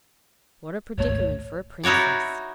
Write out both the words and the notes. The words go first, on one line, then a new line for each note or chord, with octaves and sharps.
What a predicament for a princess!
D1 G#1 A3 C#5
D#4 E4 F#4 C#5 D5